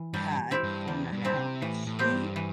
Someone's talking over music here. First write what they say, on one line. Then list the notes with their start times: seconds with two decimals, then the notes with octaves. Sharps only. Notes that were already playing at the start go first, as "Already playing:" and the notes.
had, former now- and she,
Already playing: E3
0.14 G2 G3
0.51 C4 E4 G4
0.63 G2
0.88 E2 G3
1.12 G2
1.25 C4 E4 G4
1.33 D3
1.37 C3
1.62 A2 E3
1.87 A2
1.99 G3 C4 G4
2.11 G2
2.36 E3